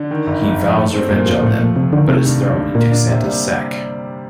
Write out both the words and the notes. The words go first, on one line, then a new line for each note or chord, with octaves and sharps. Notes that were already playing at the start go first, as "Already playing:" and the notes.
He vows revenge on them, but is thrown into Santa's sack.
Already playing: D3
D#3
G1
G1 G2
F2
A3
C4
G2 A#2
F3
A2 A3
F2 A#2
F2 C3
D3 D#3
C3 A3
G2
G2
D3
A#2 A#3
D4
C3
G3